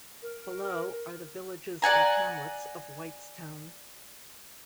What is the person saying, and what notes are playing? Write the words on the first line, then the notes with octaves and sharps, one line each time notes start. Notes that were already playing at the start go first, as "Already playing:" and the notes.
Below are the villages and hamlets of Whitestown.
A#4
D5 F#5 G#5 A#5